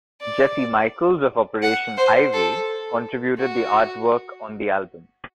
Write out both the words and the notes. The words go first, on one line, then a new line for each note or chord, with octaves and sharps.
Jesse Michaels of Operation Ivy contributed the artwork on the album.
D5
F#5
C5
A4
F#4